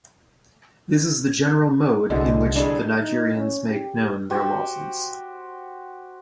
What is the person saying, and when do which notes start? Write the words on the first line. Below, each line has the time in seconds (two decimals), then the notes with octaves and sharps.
This is the general mode in which the Nigerians make known their losses.
2.10 C2 B2 D3 E3 G#3
2.56 G3 D4 G#4 D#5
2.99 D#4
3.36 C#4
3.70 G4
4.30 F#4 G4 C5 G5